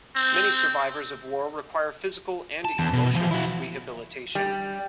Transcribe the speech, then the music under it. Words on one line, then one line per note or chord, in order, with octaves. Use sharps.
Many survivors of war require physical and emotional rehabilitation.
C4
A5
E2
B2
E3 F3
E4 F#4
G3